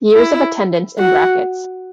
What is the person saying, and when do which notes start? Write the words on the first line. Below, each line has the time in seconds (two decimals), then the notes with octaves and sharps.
Years of attendance in brackets.
0.14 E4
0.99 F#4